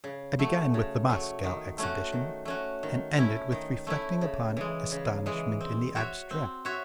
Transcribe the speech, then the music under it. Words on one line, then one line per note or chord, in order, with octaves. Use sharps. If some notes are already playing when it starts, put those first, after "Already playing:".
I began with the Moscow exhibition and ended with reflecting upon astonishment in the abstract.
C#3
F#3 A3
C#3
F#3 A3
D#3
A3 C#4 F#4
D#3
A3 C#4 F#4
D#3
A3 C#4 E4
D#3
A3 C#4 E4
C#3
E3 G#3
C#3
E3 G#3
C4
F#4 C#5 E5
C4
F#4 C#5 E5